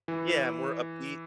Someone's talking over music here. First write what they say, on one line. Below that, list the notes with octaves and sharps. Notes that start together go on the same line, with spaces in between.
Yeah, more upbeat.
E3